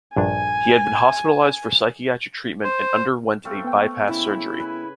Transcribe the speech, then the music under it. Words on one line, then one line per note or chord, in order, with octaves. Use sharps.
He had been hospitalized for psychiatric treatment and underwent a bypass surgery.
A#1 G2 D4 G#5
C5
A3 C4 F5
B3 G5
C#3 E4
B4 G#5